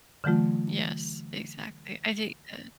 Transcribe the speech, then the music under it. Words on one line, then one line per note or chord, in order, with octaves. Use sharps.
Yes, exactly. I think, uh
D3 E3 F#3 A3 F4